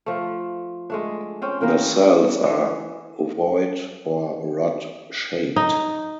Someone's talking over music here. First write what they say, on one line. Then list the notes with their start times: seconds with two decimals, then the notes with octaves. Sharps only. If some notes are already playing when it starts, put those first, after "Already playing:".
The cells are ovoid or rod-shaped.
0.06 F3 A3
0.90 G#3 A3 D4
1.42 C4 C#4 G5
1.61 E3 A#3 A#4 G5
2.43 E3
5.56 D#4